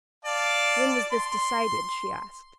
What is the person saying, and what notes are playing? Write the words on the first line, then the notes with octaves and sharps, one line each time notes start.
"When was this decided?" she asked.
D5 F5 A5
C6